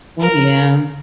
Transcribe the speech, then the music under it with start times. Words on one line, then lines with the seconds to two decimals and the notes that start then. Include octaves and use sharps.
Well, yeah.
0.20 A#4